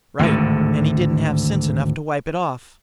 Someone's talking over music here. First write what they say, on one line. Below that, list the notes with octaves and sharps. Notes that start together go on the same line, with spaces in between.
"Right; and he didn't have sense enough to wipe it off."
G#1 D2 A2 D3